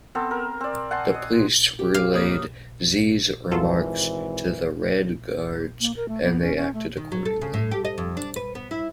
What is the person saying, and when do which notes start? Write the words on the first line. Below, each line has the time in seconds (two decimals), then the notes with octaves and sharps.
The police relayed Xie's remarks to the Red Guards and they acted accordingly.
0.15 B3 C4 A4
0.31 A#4
0.61 C4 D5
0.91 F#5 G#5 A5 C6
1.14 D#5
1.79 G4
1.94 F5
2.14 A#3 C#5 D#6 F6
3.52 G#1 E3 F#3 F4 A4
5.80 A#3
5.96 A#4
6.08 A3
6.23 B3
6.42 C#4
6.56 C#4
6.74 A3
6.97 D#3
7.12 F#3
7.25 A4
7.41 C#3
7.54 A2
7.71 G4
7.85 D#5
7.98 F2
8.17 D4
8.36 B4
8.55 B3
8.71 E4